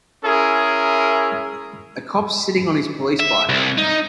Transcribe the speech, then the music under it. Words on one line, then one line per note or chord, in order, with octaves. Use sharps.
A cop sitting on his police bike.
C#4 E4 G#4 A#4
E5
C2
D#4